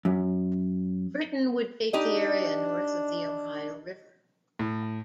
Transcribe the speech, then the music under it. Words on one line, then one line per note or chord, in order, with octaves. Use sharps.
Britain would take the area north of the Ohio River.
F#2
D4 D#4 G4 D#5
A2